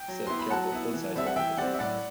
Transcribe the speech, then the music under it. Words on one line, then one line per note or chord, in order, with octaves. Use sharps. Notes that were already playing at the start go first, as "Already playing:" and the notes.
A set of careful full-size replicas have been made.
Already playing: G5
F#3
B3 E4 C6
B5
F#3 F#5 A5
B3 E4
E3
G3 C4 E5
F#5
E3 E5 G5
G3 C4 D5 F#5
E5
A2 D5 F#5